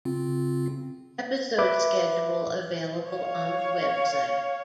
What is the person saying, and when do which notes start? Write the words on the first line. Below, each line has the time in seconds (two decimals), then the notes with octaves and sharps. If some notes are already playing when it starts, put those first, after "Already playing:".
Episode schedule available on the website.
0.05 C#3 C4 F4
1.58 B4 E5 D6
3.10 C#5 F5